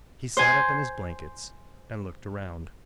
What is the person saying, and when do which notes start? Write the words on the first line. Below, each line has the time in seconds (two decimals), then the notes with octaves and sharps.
He sat up in his blankets and looked around.
0.37 C5 G#5